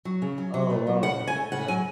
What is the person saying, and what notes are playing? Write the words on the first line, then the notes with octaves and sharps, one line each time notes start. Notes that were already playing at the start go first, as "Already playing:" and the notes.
Oh, wow, yeah.
F#3
C#3
F#3
F#3
A3
F#3
C#3 F#5
C#3
G#5
A3
C#3 F#5
F#3 G#5